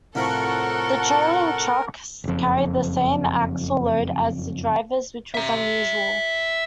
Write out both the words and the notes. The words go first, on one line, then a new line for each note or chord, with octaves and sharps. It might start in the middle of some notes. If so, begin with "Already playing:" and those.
The trailing truck carried the same axle load as the drivers, which was unusual.
C2 A2 F3 A4 A#4 F#5 C#6
F#1 F2
E5 A#5